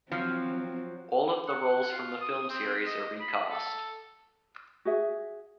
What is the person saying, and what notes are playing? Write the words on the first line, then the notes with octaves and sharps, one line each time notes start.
All of the roles from the film series are recast.
F3 F#3 C4
F#5
F4
D#6
C4
D#5
B5
A4
F#4 G#4 E5